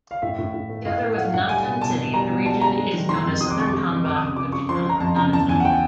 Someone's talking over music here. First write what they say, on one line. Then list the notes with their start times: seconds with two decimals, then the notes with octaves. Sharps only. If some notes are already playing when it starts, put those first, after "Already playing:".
Together with Nantan city, the region is known as Southern Tanba, Kuchitan or Nanatan.
0.11 F5
0.22 A2 E5
0.39 A2
0.54 A2
0.70 A3
0.85 A2 F5
1.01 A3
1.17 A3 F#5
1.34 A2 F#5
1.49 G3 G#5
1.65 B2
1.81 B2 A5
1.98 B2
2.14 G3 A#5
2.30 B2
2.46 G3 A5
2.61 G3 A#5
2.77 G#3
2.94 D#3
3.09 D#3 C6
3.26 F2
3.41 D#3 D#6
3.50 D6
3.57 C3 C#6
3.68 D6
3.73 G#3
3.89 F2
4.05 F2 D6
4.16 D#6
4.22 C#3
4.27 D#6
4.37 C#3 D6
4.52 C#3 C#6
4.69 F3 C6
4.85 F3 A#5
5.00 F2 A5
5.16 C#3 A#5
5.33 E2 A5
5.48 E2 G#5
5.60 F#5
5.65 G5